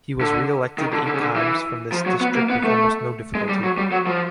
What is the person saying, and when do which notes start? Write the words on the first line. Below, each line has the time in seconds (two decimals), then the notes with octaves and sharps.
He was re-elected eight times from this district with almost no difficulty.
0.21 D3
0.78 D#3
0.93 D3
1.07 D3
1.14 C#3
1.21 D3
1.36 E3
1.92 F3
2.06 F#3
2.21 B3
2.35 A#3
2.50 B3
2.64 A3
3.35 G#3
3.49 G3
3.63 F#3
3.78 G3
3.92 F#3
4.07 F3